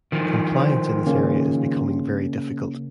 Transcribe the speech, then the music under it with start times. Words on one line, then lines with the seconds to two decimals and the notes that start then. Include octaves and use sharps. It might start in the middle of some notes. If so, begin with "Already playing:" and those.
Compliance in this area is becoming very difficult.
0.12 D#3 F3
0.56 C5
1.07 C#3 A#3 C#4